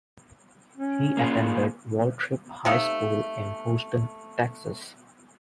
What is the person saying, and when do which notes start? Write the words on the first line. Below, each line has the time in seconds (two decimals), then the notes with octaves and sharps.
He attended Waltrip High School in Houston, Texas.
0.78 C#4
1.17 A#3 F4 G#4
2.65 C3 A3 D#4 F5